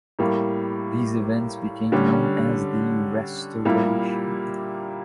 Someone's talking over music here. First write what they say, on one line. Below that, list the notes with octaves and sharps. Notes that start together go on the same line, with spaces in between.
These events became known as the "Restoration".
A2 G3 A#3
D3 G3 C#4
A#2 G3 A#3 E4 G4